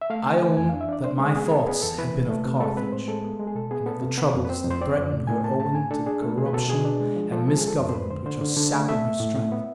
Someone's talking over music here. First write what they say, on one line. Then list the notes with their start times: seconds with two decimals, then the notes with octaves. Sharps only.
"I own that my thoughts have been of Carthage, and of the troubles that threaten her owing to the corruption and misgovernment which are sapping her strength."
0.01 E5
0.10 A3 F5
0.26 D3 G#5
0.41 A3
0.57 F2 G#5
0.69 D4 F5
0.81 E5
0.89 D4 D5
1.04 D4 C5
1.19 G#3 G#4
1.36 B3 G#4
1.46 G#4
1.51 B3 A4
1.67 B3 G#4
1.82 E2 A4
1.98 E3 B4
2.14 C3
2.29 A3
2.45 C3
2.61 G#3 A4
2.77 C4 B4
2.92 A2 C5
3.08 G#3 A4
3.24 B3
3.39 G#3
3.47 G#4
3.55 B2 A4
3.71 B3 G#4
3.86 B3 A4
4.02 C3
4.17 B3
4.34 F2
4.45 B4
4.49 C4 C5
4.65 F2
4.71 C5
4.81 C4 D5
4.96 F2 D5
5.12 A2
5.27 A2 G#5
5.43 B3 A5
5.59 A2 A5
5.75 A3 G#5
5.91 D4 A4
6.06 D4 G#4
6.21 A3 A4
6.38 B2 G#4
6.46 B4
6.53 B2 A4
6.69 B2 G#4
6.85 D4
7.00 G#3
7.16 F3
7.32 F3 A4
7.47 G#3 A4
7.57 G#4
7.63 F3 A4
7.79 F2
7.89 C5
7.94 F2 B4
8.10 D3 C5
8.26 D3 C5
8.41 D3
8.57 D3
8.73 A3
8.89 A3 E5
9.04 A2
9.20 A2
9.36 A2
9.52 B3